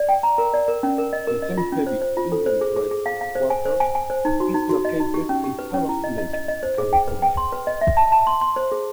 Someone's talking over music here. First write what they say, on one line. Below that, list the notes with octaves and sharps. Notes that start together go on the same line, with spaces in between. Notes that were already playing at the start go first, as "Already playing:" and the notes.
The Chemehuevi Indian Tribe's headquarters is located in Havasu Lake, California.
Already playing: D5
G5
A#5
A#4
D5
A#4
C#4
A#4
D#5
A#4
D#5
F4
C#4
C5
C5
F4
A4
C5
G#4
G#4
G#4
F5
F5
C5
G#5
C5
G#5
G#5
C5
D#4
F#4
D#4
F#4
D#5
D#4
G4
C#4
G4
B4
C#4
E4
D#5
D#5
D#5
D#5
C5
G#4
G5
B4
G5
C6
B4
D#5
E5
A5
A5
C6
C6
C5
G#4